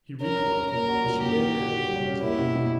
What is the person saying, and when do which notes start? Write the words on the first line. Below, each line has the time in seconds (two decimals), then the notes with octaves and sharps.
He recoiled, but she laid her hand upon his arm.
0.21 C#4 A#4
0.37 C#4
0.54 C#4
0.72 A#2 A#4
0.88 F#4
1.04 A#2
1.21 A#2 G4
1.38 F#4
1.54 F#4
1.72 F#4
1.88 G3
2.05 C#4
2.22 A#3 E4
2.39 B2
2.55 B2